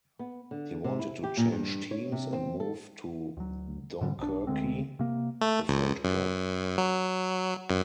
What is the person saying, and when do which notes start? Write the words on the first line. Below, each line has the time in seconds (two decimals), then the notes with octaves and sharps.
He wanted to change teams and move to Dunkerque, a French club.
0.19 B3
0.51 D3
0.84 C3
0.99 E4
1.23 G4
1.37 A#2
1.52 G2
1.91 C#5
2.12 C3
2.33 C4
2.60 A4
3.37 D2 F#3
4.01 G#2 D3 E3 G3
4.18 B1 D4
4.47 D2 D3 G#3 C4
4.99 C3 A#3
5.41 A3
5.68 C#2
6.04 F#2
6.78 F#3
7.70 F#2